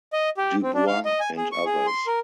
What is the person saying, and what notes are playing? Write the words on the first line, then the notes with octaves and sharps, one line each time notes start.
Du Bois and others.
D#5
G4
C4
D4
F5
D#5
G#5
G#4
C#6
G#4
C6
A#4